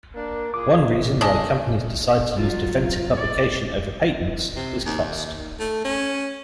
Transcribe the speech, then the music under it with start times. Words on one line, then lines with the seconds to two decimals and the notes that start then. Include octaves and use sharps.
One reason why companies decide to use defensive publication over patents is cost.
0.15 A#3 D4
0.54 A#2 A#3 E4 G#4 D6
1.21 C#4 D4 D#5
2.36 F#3 F4
3.16 D5
4.56 C3
4.85 D#2
5.59 A3
5.85 C#4